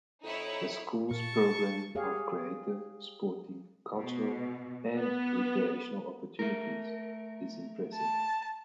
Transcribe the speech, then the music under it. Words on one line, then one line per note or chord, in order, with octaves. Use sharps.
The School's programme of creative, sporting, cultural and recreational opportunities is impressive.
F2 D#4 E4 C#5
A#2 A5 C#6
G4 G#4 C#5 F5
B2
B3
A3 A#4
A5